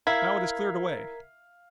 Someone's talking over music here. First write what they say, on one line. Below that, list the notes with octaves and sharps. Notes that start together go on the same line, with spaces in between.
Now it has cleared away!
E4 A#4 F5 G#6 B6